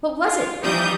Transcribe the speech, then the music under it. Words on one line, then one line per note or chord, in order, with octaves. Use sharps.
What was it?
F4
E3 F3 G3 D#4 D#6 G6